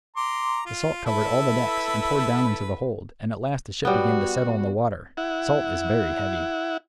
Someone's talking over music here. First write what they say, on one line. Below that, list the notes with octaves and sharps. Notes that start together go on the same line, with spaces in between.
The salt covered all the decks and poured down into the hold, and at last the ship began to settle in the water; salt is very heavy.
A#5 C6 D6
F4
E4 A4 B4
G3 B3 F#4
E4 F#5